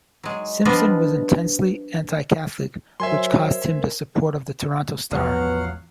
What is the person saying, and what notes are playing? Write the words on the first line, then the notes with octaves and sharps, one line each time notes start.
Simpson was intensely anti-Catholic which cost him the support of the "Toronto Star".
F#3 G#3
F3 G3 B3 D4 F4 D#5
F#3 A#4 C5 E5 G#5 C6
A1 E2 F3 F#3 B3 F5 F#5